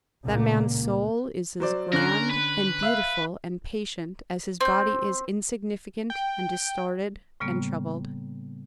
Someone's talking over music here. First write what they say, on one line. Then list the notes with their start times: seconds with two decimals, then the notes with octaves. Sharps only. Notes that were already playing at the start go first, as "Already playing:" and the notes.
That man's soul is as grand and beautiful and patient as his body is insignificant and distorted and troubled.
0.22 C#2 A#2 A#3
1.60 F#3 C5 D5
1.93 D3 C#4 A#4 F#6
2.30 B4
2.83 E5 F5
4.61 C4 G6
6.10 G5
7.40 A2 C#3 G3 A#3 B3